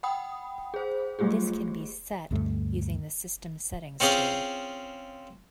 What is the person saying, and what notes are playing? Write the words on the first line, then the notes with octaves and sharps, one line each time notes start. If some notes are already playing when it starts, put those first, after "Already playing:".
This can be set using the System Settings tool.
F#5 G5 B5 D#6
G#4 C5
F#3 G3 A3 F4 G4 G#4
D2 G2 A3
C4 C#4 F4 G#4 C5